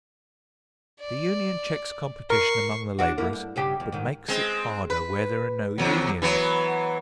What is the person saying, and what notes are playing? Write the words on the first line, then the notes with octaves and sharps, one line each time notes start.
The union cheeks competition among the labourers, but makes it harder where there are no unions.
D5
A#4 C#6 C7
D4 F#4
A#3 E4
G2
G2 C#3 G4
F2
G#2 D#3
G#3 C4
B4
E2 F#3
E3 F#3 B3